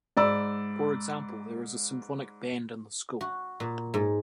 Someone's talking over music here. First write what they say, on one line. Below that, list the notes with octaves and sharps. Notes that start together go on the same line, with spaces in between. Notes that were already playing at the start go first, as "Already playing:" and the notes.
For example, there is a symphonic band in the school.
G#2 D5 B5 E6
F#4
A#2
G#2